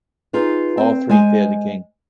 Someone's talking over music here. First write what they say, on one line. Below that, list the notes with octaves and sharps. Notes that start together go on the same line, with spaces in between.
All three failed the king.
D#4 F4 G#4 B4
C4
G#3 C5 G#5